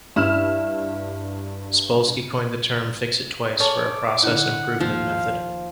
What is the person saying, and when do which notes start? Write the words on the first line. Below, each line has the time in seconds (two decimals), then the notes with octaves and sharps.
Spolsky coined the term "fix it twice" for a process improvement method.
0.16 G2 E4 F6 E7
3.60 G#4 A4 C#5 D6 F6
4.23 D3 D#4 E4 F#5
4.80 D#2 F3 F5